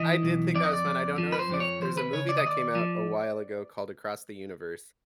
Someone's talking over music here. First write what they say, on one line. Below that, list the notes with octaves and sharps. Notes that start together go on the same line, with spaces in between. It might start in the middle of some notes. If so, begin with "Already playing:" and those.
I did think that was fun. I don't know if you've there's a movie that came out a while ago called Across the Universe.
Already playing: E3 D#5
B1
F2 D5
D#5
D5
F2
F3
B4
C5
F2 D5
C#5
D#2 C5
B4
C#3 C#5
D5
D#5
D#2 D5
F3